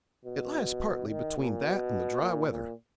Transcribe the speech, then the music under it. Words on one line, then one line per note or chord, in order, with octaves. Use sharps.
It lies partly between that and the dry weather.
B2
D#3
A#2
B2
A#2
A#2